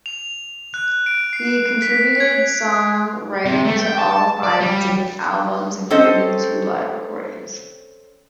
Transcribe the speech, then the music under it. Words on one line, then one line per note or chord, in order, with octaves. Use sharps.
He contributed song writing to all five dig albums including two live recordings.
F7
F#6
D7
C7
B6
G#6
C3
A3
G5
A5
D5
G3
C4 C#4 A4 C5 D#5